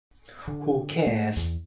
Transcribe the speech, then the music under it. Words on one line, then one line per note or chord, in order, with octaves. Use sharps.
Who cares?
D3
A3
E2